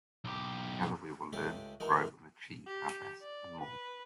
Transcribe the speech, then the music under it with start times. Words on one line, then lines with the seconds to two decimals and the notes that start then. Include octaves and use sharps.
Together, we will learn, grow and achieve our best and more.
0.24 B1 G4
1.33 C#2 G#3 A3 C#4 G4 D6
1.80 E3 G#3 D#4 F#4 A#4
2.67 G4
3.23 D5
3.61 B4